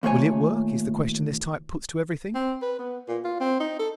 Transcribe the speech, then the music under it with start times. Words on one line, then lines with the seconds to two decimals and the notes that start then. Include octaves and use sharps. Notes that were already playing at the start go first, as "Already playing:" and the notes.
"Will it work?" is the question this type puts to everything.
0.03 D#2 A#2 A3 E4 C#5 G#5
2.35 C4
2.62 B4
2.79 B3
3.08 A#2
3.24 F4
3.40 C4
3.60 D#4
3.79 A4